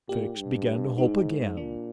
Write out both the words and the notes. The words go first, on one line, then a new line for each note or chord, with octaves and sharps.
Fix began to hope again.
A#2 G4
G2
G#2 D#4
A#2 D4